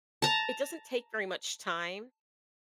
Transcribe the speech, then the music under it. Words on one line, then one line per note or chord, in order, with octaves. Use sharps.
it doesn't take very much time,
A5 A#5